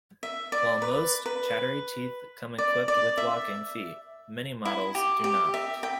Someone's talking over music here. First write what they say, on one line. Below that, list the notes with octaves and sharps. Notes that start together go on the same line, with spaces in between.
While most chattery teeth come equipped with walking feet, many models do not.
E5
D5
B4
B4
D5
D5
E5
E4
G4
G4
E5
G5